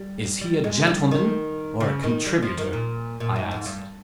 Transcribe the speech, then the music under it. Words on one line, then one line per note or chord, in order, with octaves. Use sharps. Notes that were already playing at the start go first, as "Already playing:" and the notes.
"Is he a gentleman or a contributor?" I asked.
Already playing: G3
G3
G#3
G3
D#3
C#3
D#3
G3
F3
D#3
A#2
A#2
G#2
G#2
G2